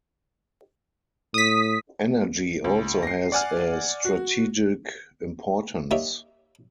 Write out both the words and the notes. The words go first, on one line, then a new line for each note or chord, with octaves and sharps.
Energy also has a strategic importance.
A2 D#6 B6
C#2
A#6 C7
D5 F#5 G#5 F6
F#4
A#3 D#4 G4 C#5 D5 E5